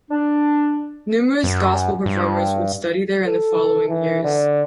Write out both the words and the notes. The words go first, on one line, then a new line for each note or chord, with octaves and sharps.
Numerous gospel performers would study there in the following years.
D4
F#2
G2
A4
E3
D3